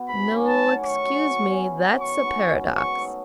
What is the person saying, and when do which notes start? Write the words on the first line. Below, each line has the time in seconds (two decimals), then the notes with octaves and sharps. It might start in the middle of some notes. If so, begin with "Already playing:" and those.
"No, excuse me, that's a paradox."
Already playing: B2 B3
0.08 G#2 B5
0.28 D#3 G#3 C#4
0.47 A2 A5
0.66 F#3 C#4 F#4
0.85 D#3 C#6
1.04 F#3 C#4 F#4
1.24 B2
1.43 G#3 C#4 E4
1.63 C#3
1.81 F#3 B3 F#4
2.00 D#3 C#6
2.20 G#3 B3
2.39 F#3
2.58 C#4 F#4
2.77 G#2 C#6
2.97 F#3 A3 D#4